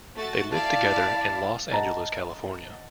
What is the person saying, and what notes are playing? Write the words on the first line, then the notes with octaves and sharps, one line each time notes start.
They live together in Los Angeles, California.
A3 F#4 A6
E4 D5 F5 A5
D#5 F#5 A5 A#5 A6